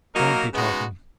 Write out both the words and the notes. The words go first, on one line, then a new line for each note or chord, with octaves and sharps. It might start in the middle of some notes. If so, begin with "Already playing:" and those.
Don't be talking!
F#3 A#3 D#4 A#4
C#3 G#3 B3 D#4 F#4